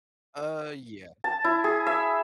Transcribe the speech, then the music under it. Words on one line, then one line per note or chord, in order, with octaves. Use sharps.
Uh, yes.
A5
E4
G#4
E5